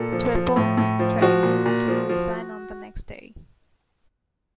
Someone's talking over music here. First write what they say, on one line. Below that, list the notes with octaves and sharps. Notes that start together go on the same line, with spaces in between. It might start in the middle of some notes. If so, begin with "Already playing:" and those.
Trepov threatened to resign on the next day.
Already playing: A#2 A4
F3
F3
A2
A2
F3
F3 F#4
A#2
A#2
F3
F3